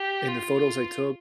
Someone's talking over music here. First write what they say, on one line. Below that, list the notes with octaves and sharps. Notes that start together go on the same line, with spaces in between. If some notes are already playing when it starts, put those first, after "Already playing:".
and the photos I took
Already playing: G4
F4